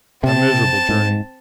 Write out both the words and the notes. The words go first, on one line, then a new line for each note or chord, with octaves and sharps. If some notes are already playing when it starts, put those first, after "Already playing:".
A miserable journey.
C3 C4 A5
G#2